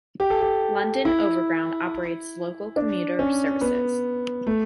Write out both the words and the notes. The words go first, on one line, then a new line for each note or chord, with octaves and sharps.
London Overground operates local commuter services.
G4
A4
G4
E4
D4
C#4
B3
A3